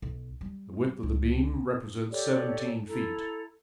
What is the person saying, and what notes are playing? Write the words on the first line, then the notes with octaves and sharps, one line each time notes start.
The width of the beam represents seventeen feet.
B1
G3
C#2
G4 A4 C#5 D5
E4 A4 A#5